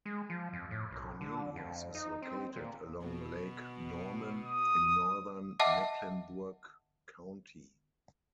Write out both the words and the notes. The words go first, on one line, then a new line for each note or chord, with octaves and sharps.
Cornelius is located along Lake Norman in northern Mecklenburg County.
G#3
F3
F2
A2
B1
D3
F2
D#4
C4
A#2
B2
D#6
D#5 E5 F#5 A5 D6